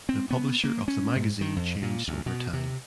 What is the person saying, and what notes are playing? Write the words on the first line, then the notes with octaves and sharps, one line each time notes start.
The publisher of the magazine changed over time.
C4
B3
A#3
C#4
G#2
D#3
F2
A#2
D2
B2
C3